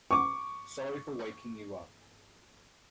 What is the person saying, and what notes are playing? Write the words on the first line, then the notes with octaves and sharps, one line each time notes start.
Sorry for waking you up.
C#6 D6